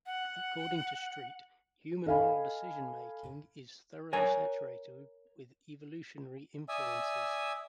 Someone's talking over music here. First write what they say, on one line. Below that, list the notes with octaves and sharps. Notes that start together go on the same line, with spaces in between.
According to Street, human moral decision-making is "thoroughly saturated" with evolutionary influences.
F#5
A4 D#5 F5 G#5 B5
A#4 C#5 G#5
D5 E5 G#5 D#6 E6